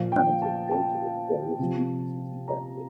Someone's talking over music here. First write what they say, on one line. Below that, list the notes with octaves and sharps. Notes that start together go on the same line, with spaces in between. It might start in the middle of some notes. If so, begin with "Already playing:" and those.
This plan is updated at various frequencies in practice.
Already playing: A#2 F3 F5
G5
A5
A5
C3 F3
A#5